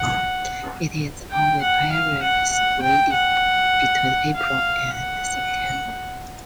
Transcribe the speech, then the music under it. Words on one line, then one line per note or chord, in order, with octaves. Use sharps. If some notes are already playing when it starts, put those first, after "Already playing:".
It is oviparous, breeding between April and September.
Already playing: F#5
G5
F#5
F5
F#5
F#5
G5
F#5
F5
F#5